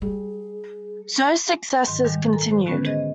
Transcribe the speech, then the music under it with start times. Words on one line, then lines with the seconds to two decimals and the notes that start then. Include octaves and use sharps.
Zuo's successes continued.
0.02 G3 G#4
1.87 G#2 D#3 F#3
2.05 A#2 D#3 G3 G#3
2.33 A4 A#4 G#5 A#5
2.51 C5
2.66 D3 G#3 B3 C#4 F#4 B4
2.86 G#4 C5 D#5